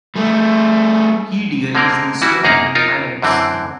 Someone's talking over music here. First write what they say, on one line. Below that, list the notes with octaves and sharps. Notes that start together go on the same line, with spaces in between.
Key deer easily swim between islands.
G3 A3
D3 G#3 A#3 C4 A#4
E3 G3 E4 F#4
F#2 A#3 D#4 G#4 A#4 A#5
D#4 F4 A#4
F#2 D3 E3 C4